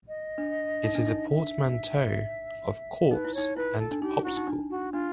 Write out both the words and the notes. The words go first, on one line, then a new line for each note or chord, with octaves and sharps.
It is a portmanteau of "corpse" and "popsicle".
D#5
D4
D#4
D4
D#4
E5
D#4 B4
E4
D#4 C#5
E4 B4
A4
D4
D#4 G4
E4 F#4
D#4
D4
F#4
D4 F4